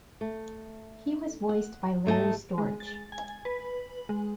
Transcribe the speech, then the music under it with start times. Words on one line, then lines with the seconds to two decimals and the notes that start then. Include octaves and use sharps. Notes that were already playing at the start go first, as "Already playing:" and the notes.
He was voiced by Larry Storch.
0.21 A3
1.49 F#5
2.06 G#2 A3 E4 D#5 A5
2.58 G#3
2.80 A6
3.12 G#5
3.45 B4
4.09 G#3